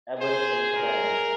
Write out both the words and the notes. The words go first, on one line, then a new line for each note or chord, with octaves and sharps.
Ebert in command.
G#4 C5
A#4